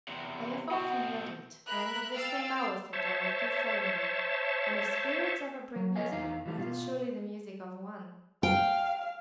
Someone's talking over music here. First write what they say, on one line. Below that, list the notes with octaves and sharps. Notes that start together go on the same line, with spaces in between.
'I have often heard it, and at this same hour,' said Dorothee, solemnly, 'and, if spirits ever bring music--that is surely the music of one!'
E2 C3
B2 C4 F#4
A#4 E5 B5 F#6
F5 G5 E6 F6 A6 C7
C5 C#5 E5 A5
F#3
A4 C#5 D#5 F5 G#5
E2 D#4 F5
E3 G3 A3
B2 D4 F4
F5 G5